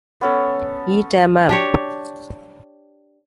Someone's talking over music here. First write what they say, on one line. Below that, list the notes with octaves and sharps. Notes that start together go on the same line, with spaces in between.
Eat 'em up!
B3 C#4 A4
D4 G4 C#5